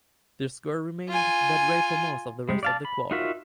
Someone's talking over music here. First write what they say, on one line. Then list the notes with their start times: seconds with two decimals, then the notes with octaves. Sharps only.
The score remained that way for most of the rest of the quarter.
1.08 F4 G#5
2.49 G3 G#3
2.63 D5 F5 A5
2.85 B5
3.11 D#4 F4 F#4 A#4 E5